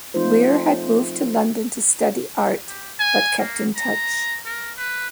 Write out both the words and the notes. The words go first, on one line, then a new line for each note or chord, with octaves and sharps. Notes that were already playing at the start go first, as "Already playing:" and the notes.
Weir had moved to London to study art, but kept in touch.
F3 A3 C4 D#4 F4 C5
G4
G#5
A#3
A#5
A#4
B4